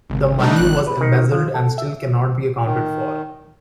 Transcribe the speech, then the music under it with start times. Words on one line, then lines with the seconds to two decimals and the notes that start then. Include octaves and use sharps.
The money was embezzled and still cannot be accounted for.
0.10 G#1
0.39 G3 A3 D4 D#4
0.56 G#1 F#6
0.87 B4
1.01 D#3
1.32 F3
1.54 A4
1.78 E5
2.65 D#3